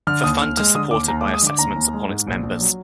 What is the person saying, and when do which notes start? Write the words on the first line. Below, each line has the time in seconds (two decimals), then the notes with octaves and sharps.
The fund is supported by assessments upon its members.
0.07 D3 F6
0.24 D#2 D#6
0.41 D#2 F6
0.57 G#3 F6
0.75 D3 D#6
0.91 D#2 D6
1.08 D#2 A#5
1.21 D6
1.25 G#3
1.34 D#6
1.43 D3 D6
1.59 D#2 A#5
1.76 D#2
1.93 G#3
2.09 G#2
2.27 A#1
2.43 A#1
2.61 F#3